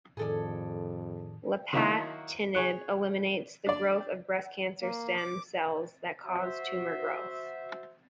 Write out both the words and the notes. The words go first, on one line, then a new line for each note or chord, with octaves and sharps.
Lapatinib eliminates the growth of breast cancer stem cells that cause tumor growth.
F2 A2 D#3 G#4 A4 D5
D#3 F#3 A#3 D#4 E4 F#4
G#4 C#5 F#6
D4 D5
A#3
D6
F#4 C5 E5